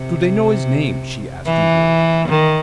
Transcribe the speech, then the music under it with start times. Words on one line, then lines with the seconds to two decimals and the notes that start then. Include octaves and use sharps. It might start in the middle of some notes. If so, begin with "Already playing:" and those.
"Do they know his name?" she asked eagerly.
Already playing: C3
1.46 E3
2.29 D#3